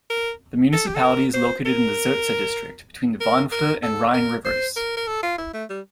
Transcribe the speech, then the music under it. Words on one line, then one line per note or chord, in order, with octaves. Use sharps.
The municipality is located in the Zurzach district, between the Wandfluh and Rhine rivers.
A#4
A4
G4
A4
A#4
C5
A#4
A#4
A#4
A4
A#4
C5
A#4
A#4
A4
F4
E4
A3
G3